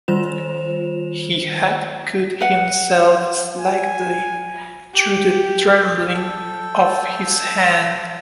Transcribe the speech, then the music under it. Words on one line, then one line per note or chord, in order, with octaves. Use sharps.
He had cut himself slightly through the trembling of his hand.
D#3 G3 F4 C5 E7 F7
B4 F#5
G#5
G4
A4 G5